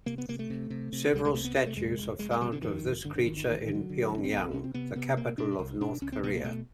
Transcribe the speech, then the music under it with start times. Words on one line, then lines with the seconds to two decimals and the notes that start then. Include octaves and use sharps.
Several statues are found of this creature in Pyongyang, the capital of North Korea.
0.06 C3 A#3
0.18 B3
0.28 C3 A#3
0.39 A3
0.50 C3
0.70 C3
0.93 C3
1.13 C2 G3
1.25 G#3
1.34 C3 A3
1.44 B3
1.56 C3 C4
1.66 A3
1.77 E2 G#3
1.98 F1
2.19 F1 G#3
2.31 G#3
2.41 C3 G3
2.52 D3
2.61 F2 D#3
2.83 G1
3.04 G1 D3
3.16 D3
3.25 G1 D#3
3.36 D#3
3.47 A1 D#3
3.61 D#3
3.68 D3
3.75 F#3
3.90 D3
4.10 A1
4.18 C#4
4.24 C4
4.32 C2 B3
4.43 C4
4.53 C3 C#4
4.64 C4
4.74 C3 B3
4.96 C3 B3
5.17 B2 A#3
5.38 B2 D4
5.59 C2
5.81 B2 D4
6.02 C#2 C#4
6.12 C4
6.23 B2 B3
6.34 A#3
6.44 B2 A3